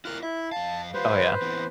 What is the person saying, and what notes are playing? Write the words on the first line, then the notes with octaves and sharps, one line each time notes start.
Oh, yeah.
E4 F4 A#4 F6 F#6
E4 E5
F2 F5 A5
G3 F4 B4 C5
E3 B3 C4